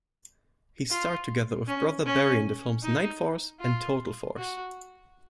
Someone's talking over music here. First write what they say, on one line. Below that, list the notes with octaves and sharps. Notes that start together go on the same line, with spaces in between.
He starred together with brother Barry in the films "Nightforce" and "Total Force".
F4
C#4
C#4
D#4
F4
F#4